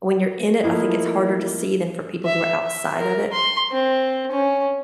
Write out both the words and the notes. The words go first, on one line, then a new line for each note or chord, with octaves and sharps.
when you're in it, I think it's harder to see than for people who are outside of it,
F3 A3 A#3 E4 D#5
E5
E5
A#4
C6
C4
C#4